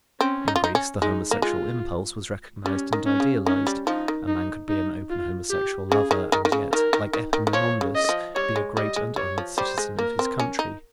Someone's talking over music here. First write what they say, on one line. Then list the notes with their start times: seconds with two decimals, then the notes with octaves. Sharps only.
In Greece the homosexual impulse was recognized and idealized; a man could be an open homosexual lover, and yet, like Epaminondas, be a great and honored citizen of his country.
0.20 C4 C#4
0.48 D#4
0.56 F4
0.64 D#4
0.75 C#4
1.02 G#3 D#4
1.31 A#3
1.42 G#3 F4
2.65 G3 C#4
2.93 D#3
3.06 C#4
3.20 C#3
3.46 D#3 C#4
3.67 G3
3.87 F3 D#4
4.08 D#3
4.28 D#4
4.69 D#4
5.10 F4
5.50 G4
5.91 C#3 G#4
6.11 D#3
6.32 D#3
6.45 D#3
6.52 C#3
6.72 D#3 A#4
6.93 D#3
7.13 D#3
7.33 D#3
7.47 D#3
7.53 F3 C#5
7.81 C#3
7.95 D#5
8.09 F3
8.35 G3 C#5
8.56 G#3
8.77 G3 D#5
8.96 G#3
9.16 G3 C#5
9.38 F3
9.58 G3 C5
9.78 G#3
9.98 A#3 A#4
10.19 C4
10.40 C#4
10.59 D#4